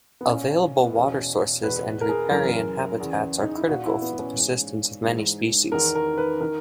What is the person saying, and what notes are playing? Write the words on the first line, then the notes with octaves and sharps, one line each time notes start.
Available water sources and riparian habitats are critical for the persistence of many species.
B3
A#2 C#4
B3
E2 B2 C#4
E2 B2 B4
A#4
G#4
F#2 C#3 E3 A#4
E2 C#3 E3
D#4
E4
A#2 F#4
E4
B3
C#4
G#2 E3
G#2 E3
E2 D#3 A#4
A#4
B4
D#3 A#4